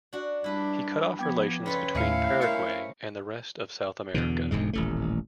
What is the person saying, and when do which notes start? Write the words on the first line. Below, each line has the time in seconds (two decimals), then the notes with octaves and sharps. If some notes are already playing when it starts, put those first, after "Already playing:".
He cut off relations between Paraguay and the rest of South America.
0.13 D4 F#4
0.44 G3 D4 E4 B4
1.19 F3 B3 G5 D6 G#6
1.66 C#3 F4 A4 B4
1.95 D#2 A2 A3 E4 F5 G#5 C#7
2.41 C#4 A#4 C5 E5 C#7
4.14 E2 B2 D3
4.51 E1 D2 G#2 G#3
4.73 D#1 A1 A3